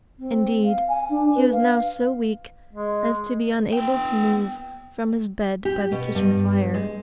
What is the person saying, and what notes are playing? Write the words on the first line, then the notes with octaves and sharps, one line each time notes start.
Indeed, he was now so weak as to be unable to move from his bed by the kitchen fire.
C4
F5
G#5
D4
B4
F5
G#3
B3 G5
G4
B2
G2
G#3